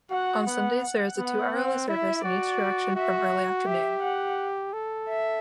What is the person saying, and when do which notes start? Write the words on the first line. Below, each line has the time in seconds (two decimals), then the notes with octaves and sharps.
On Sundays, there is a two-hourly service in each direction from early afternoon.
0.10 F#4 F#5
0.46 B3 F#5
0.82 F#5
1.18 B3
1.54 C4
1.88 E4 E5
2.24 F#4 D5
2.95 F#4 E5
3.66 G4 E5
4.02 F#5
4.73 A4
5.09 E5